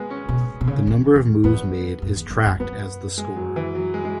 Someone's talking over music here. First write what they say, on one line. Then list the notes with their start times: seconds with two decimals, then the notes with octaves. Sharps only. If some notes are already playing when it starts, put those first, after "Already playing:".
The number of moves made is tracked as the score.
Already playing: G#3 B3
0.10 C#4
0.29 B2
0.61 B2
0.67 C#3
0.87 E3
1.15 E2
1.44 E2 B3
2.02 F#2
2.16 E2
2.30 F#2
2.46 F#2
2.60 F#2 B3
3.18 G#3
3.36 F#3
3.56 E3
3.75 F#3
3.94 G#3
4.05 G#3